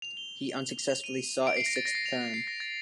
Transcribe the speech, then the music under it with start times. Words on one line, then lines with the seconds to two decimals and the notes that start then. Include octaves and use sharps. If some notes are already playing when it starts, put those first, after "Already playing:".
He unsuccessfully sought a sixth term.
0.02 F7
0.17 G7
0.90 F7
1.04 D#7
1.47 D7
1.57 C7
1.66 A#6
1.76 A6
1.86 A#6
1.95 C7
2.06 F7
2.34 C7
2.47 A#6
2.60 A6